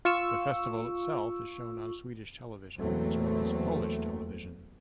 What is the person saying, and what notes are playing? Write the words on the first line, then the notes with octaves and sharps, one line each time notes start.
The festival itself is shown on Swedish television as well as Polish television.
F4 C#6 E6
E2 F#3 A3 A#3 C4